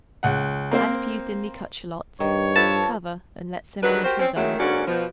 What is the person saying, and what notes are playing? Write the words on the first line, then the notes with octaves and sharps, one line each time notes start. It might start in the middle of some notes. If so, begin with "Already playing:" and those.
Add a few thinly cut shallots. Cover and let simmer until done.
C#2 F#5
A#3 C4 C5 F5
G2 D#3 C#5
F3 A4 B4 A5
D#3 F#3 G#3 D4 B4
F#4 G4 A#4 C5
C4 C#4 C5
F#2 D#3 F#3 G#3 A3 E4
G#2 D3 A#3 C#4 F#4 D5
B2 F3